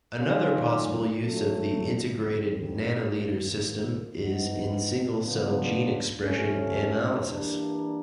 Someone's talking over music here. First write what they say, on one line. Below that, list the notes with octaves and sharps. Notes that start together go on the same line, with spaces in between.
Another possible use of the integrated nanoliter system is in single-cell gene expression analysis.
D#3 F#3 A3 C#4 F4
F#3 A3 C#4
D3 G3 C4
C3 D#3 G3 A#3
E3 G#3 C4 D#4 F#4
C#3 F#3 B3 D4 F4
C3 F3 A3 C#4
E3 G3 A#3 D4